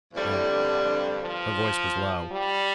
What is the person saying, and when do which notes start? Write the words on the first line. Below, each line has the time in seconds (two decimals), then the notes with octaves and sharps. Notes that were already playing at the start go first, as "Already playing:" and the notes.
"Oh." Her voice was low.
0.13 F2 A2 D3 G3
0.50 G2
0.86 G2
1.22 F3
2.31 G3